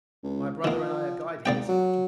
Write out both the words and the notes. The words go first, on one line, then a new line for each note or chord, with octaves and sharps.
My brother and I are guiding this affair.
C#2
D#3 F3 A#3
G#1 A#3 D5 G5
F#3